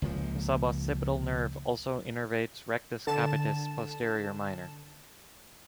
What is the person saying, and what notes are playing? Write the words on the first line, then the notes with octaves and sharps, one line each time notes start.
The suboccipital nerve also innervates rectus capitis posterior minor.
C#2 A#2 F3
D3 A5 E7